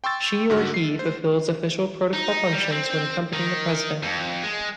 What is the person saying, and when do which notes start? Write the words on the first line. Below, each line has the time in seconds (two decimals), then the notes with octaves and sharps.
She or he fulfills official protocol functions when accompanying the president.
0.04 G5 C6 C#6 E6 A6
0.50 G#2 D3 F#4 F6
0.74 C7
0.99 C5
2.13 D#4
2.52 G3
2.72 C4
3.33 D#3
4.03 F2
4.43 G#3